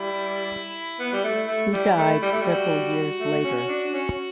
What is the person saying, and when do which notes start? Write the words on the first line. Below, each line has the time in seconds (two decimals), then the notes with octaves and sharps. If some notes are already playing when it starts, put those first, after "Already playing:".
He died several years later.
Already playing: G3 E4
0.99 B3
1.13 G3
1.24 A3
1.48 A3
1.72 G3 E4
1.98 A3
2.22 G3
2.32 A3
2.42 G3
2.47 F#4
3.20 A3
3.44 C#4
3.69 D4
3.93 C#4